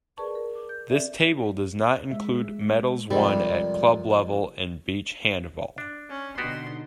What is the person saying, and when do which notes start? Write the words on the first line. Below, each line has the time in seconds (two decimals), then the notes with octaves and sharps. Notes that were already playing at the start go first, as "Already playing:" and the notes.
This table does not include medals won at club level and Beach Handball.
0.17 G#4 A#4 B4 D5 A5 C#6
0.35 A#4
0.55 D6
0.69 G6
0.89 C4 A4 D5 E5
2.11 G#3 E5
3.10 F2 C3 G3 G4 A#4
5.78 D4
6.10 C#4
6.38 B2 D3 B3 D#4 F#4 G4 C6